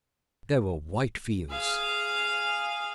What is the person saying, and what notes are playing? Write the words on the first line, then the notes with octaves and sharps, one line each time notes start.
There were white fields.
G#4 F5